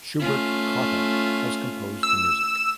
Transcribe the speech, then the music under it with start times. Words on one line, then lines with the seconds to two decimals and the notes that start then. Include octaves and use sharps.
Schubert Cotta has composed the music.
0.19 A3 C#4 F4
2.03 E6